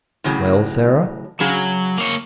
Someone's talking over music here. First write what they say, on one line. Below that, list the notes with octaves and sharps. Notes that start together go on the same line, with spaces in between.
"Well, Sarah!"
A2 C#3 F#3
C#3 F#3 G#4
A#3 C#5